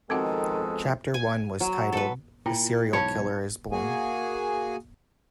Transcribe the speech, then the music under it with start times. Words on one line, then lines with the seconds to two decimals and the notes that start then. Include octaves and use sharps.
Chapter One was titled A Serial Killer Is Born.
0.10 F2 B2 D#3 G#3 C4 F#4 A4 F#5
1.14 G#5
1.60 F#3
1.93 A4 B4
2.46 A#2 E4 F4 G5
2.93 B1 G#2 C#5 F5 A5 B5
3.72 A#3 F#4 G#4 G#5